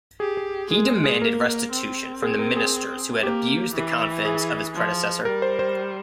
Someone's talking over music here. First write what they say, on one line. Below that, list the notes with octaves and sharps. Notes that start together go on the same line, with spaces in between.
He demanded restitution from the ministers who had abused the confidence of his predecessor.
G4 G#4
G#4
G#3 G#4
G#4
G#4
A#3 A#4
C4
G#4
A#4
G#4
A#3 G4
E3
G#4
F3
G3 A#4
C5
C5